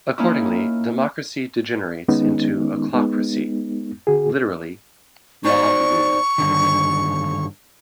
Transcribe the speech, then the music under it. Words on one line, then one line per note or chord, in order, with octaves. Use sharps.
Accordingly, democracy degenerates into "ochlocracy", literally, "mob-rule".
A#3 C#4 D#4 E4
D#3 G#3 B3 C#4 D#4
G#3 B3 D#4
D3 F#4 G#4
D#4 C5 D5 C#6
G2 D3 D#3